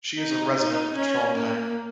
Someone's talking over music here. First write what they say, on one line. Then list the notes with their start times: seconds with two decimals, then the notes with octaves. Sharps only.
She is a resident of Trondheim.
0.19 D#4
0.57 D#4
0.95 C#4
1.33 A#3